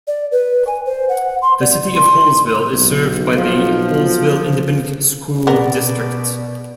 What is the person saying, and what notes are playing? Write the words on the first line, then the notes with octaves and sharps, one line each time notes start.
The City of Hallsville is served by the Hallsville Independent School District.
D5
B4
G#5
C5
F#5
C6
D5
C6
B1
F3
B2 B3 A#4 D5